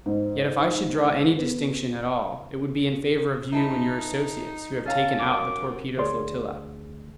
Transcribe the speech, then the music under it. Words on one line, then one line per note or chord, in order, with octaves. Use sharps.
Yet if I should draw any distinction at all it would be in favor of you and your associates who have taken out the torpedo flotilla.
G#2
B3
D#4 E4 A4 B4
C#4 A4 F5 A#5
F#2 D6
D2 G#4 C#5 D5 C6